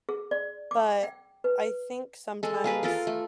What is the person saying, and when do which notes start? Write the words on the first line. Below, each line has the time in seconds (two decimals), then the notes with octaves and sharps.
but, I think sometimes
0.09 G#4
0.31 D5
0.71 D6
1.03 G5
1.44 B4
2.43 G#3 A4
2.64 A#3 G#4 B4
2.83 F4 A4 A#4
3.07 A3